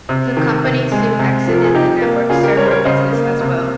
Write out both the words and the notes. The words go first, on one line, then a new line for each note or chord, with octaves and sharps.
The company soon exited the network server business as well.
C3
D#3
C3
G#3
C3
F3
A#4
G#4
C3 D#4 G4
A#3
C#3 F4 G#4
G4 A#4
G3 A#4 C#5
C5
A#4 C#5
C#3 C5 D#5
A#3
C3